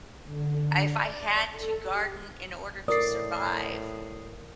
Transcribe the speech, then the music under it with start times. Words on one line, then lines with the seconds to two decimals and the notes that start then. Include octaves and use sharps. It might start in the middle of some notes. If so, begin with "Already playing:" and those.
I if I had to garden in order to survive,
0.24 D3
0.86 D5
1.49 A4
1.83 G4
2.88 A2 A#4 D5 D#6 C7